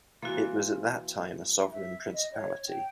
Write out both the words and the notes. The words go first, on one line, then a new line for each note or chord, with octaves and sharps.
It was at that time a sovereign principality.
E3 A#3 F4 F#4
E5
D#5
C#5
G5